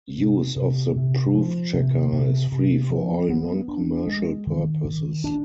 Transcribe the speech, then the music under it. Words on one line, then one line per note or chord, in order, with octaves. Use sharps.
Use of the proof checker is free for all non-commercial purposes.
C3
C3
C3
F3
C3
C3
C3
F3
B3
D4
G#3
D#3
D#3
D4